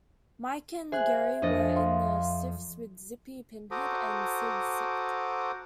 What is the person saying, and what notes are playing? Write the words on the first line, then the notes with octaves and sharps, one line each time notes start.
Mike and Gerry were in the Stiffs with Zippy Pinhead and Sid Sick.
G#4 C5 E5 F#6
F2 D4 C5 D#5 A6 A#6
F5 C6
F#4 A4 C5 A#5 D6 D#6